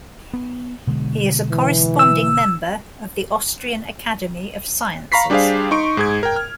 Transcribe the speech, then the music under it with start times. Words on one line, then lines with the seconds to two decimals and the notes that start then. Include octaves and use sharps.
He is a "Corresponding Member" of the Austrian Academy of Sciences.
0.34 B3
0.87 B2 D3 G#3
1.51 E3
1.99 E6
5.12 F5 A#5 B5 C#6 B6 C7
5.30 G3 D4 G4 G#4 C5 F5
5.71 D#4 C6 C#6 D7
5.97 G#2 G#4 G#6
6.23 A#4 G5
6.36 F6